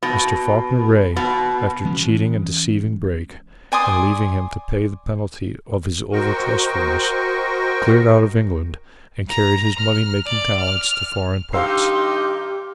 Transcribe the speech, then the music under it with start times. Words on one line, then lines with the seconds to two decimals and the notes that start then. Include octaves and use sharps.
Mr. Falkiner Wraye, after cheating and deceiving Brake, and leaving him to pay the penalty of his over-trustfulness, cleared out of England and carried his money-making talents to foreign parts.
0.03 B2
1.16 B2
1.85 E3 G#3 C#4
3.72 D5 G#5 C6 D#6
6.12 F#4 A#4 C5 D#5 G5 C#6
9.29 A#5
9.79 F6
10.26 D5
10.60 F6
11.53 G2 D#3 D#4 G4 F5 C6 E6 C7